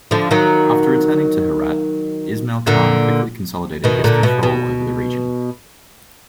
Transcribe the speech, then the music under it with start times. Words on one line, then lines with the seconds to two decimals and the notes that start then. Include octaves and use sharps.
After returning to Herat, Ismail Khan quickly consolidated his control over the region.
0.11 D3 F3
0.31 D#3 F#3
2.67 A#2 D3
3.84 B2 D#3
4.04 A#2 D3
4.23 B2
4.43 B2